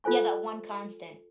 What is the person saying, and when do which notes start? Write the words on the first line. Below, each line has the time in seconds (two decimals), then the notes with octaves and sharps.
Yeah, that one constant.
0.04 F4 A4 C5 G#5 C#6